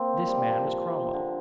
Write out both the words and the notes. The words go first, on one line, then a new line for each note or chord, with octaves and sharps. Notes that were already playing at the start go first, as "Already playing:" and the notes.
This man was Cromwell.
Already playing: A#3 C4
G3
F3
D3